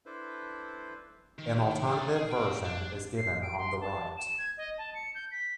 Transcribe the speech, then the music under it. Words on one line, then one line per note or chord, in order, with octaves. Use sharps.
An alternative version is given on the right.
D4 E4 A4 B4 C5
D#3
F#3 D5
G#4
C3 G5
D4
C7
D7
C6
A5
E7
G#6
D#5
A5
C#7
G6
B6